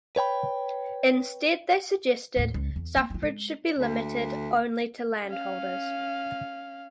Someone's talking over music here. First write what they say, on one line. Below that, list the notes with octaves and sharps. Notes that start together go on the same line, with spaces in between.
Instead they suggested suffrage should be limited only to landholders.
B4 C#5 G5 B5
D#2 A2
C#2
E2
A#3
A#3 F4
G#3
D2
C#4 F5